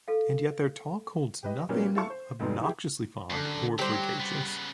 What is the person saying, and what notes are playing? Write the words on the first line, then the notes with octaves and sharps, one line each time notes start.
And yet their talk holds nothing obnoxiously fond or flirtatious.
A4 F5
G4 B4 D#5
A#2 F#3 G3 A#3 B3 C#4
E4 A4 F5 A5 C#6
C5
F1 F#3 G3 B3 D#4 C6
E3 D#4 E4 G4 G#4
F#2 D3 D4
F#3 G3 G4 C5
C#3 B3